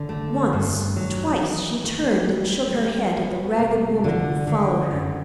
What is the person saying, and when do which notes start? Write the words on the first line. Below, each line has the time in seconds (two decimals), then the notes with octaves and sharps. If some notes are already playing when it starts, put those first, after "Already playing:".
Once, twice, she turned and shook her head at the ragged woman who followed her.
Already playing: D3
0.09 A3
0.53 G2
0.96 F#3
1.41 E3
1.84 A3
2.29 G3
2.73 G3
3.17 B3
3.59 C3
4.04 D3
4.47 D3
4.91 F#2